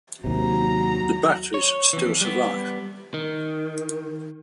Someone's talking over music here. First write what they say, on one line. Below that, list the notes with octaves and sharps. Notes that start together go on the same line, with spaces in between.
The batteries still survive.
D#2 C3 F#3 A#5
C#5
F2 E3
G3 B3
D#3